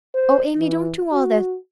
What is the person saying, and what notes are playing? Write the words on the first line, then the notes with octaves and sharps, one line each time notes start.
'O Amy, don't do all this.
C5
E3
F#4